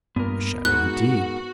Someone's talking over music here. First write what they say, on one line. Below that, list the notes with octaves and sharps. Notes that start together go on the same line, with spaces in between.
A shadow indeed!
G2 A#2 B3 A#4
G#2 F#4 F#6